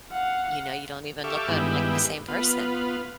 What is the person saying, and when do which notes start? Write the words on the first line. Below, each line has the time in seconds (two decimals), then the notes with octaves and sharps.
You know, you don't even look at 'em like the same person.
0.11 F5 F#5
1.24 G4 A4 E5 F5 C#6 D6
1.48 G2 D#3 G#3 B3 E4 G4
2.28 B3 F4